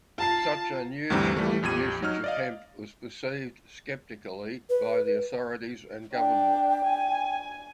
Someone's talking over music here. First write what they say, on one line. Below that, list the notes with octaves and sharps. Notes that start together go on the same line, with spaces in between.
Such unusual usage of hemp was perceived skeptically by the authorities and government.
F4 A5 A#5 C7
D2 G2 E3 G3 C4 A#5
E3 G3 A3
A#1 F2 G4 G#6 D#7
F#3 D#4 F6
D5 D#5 F5
B4
D4 G5
G#5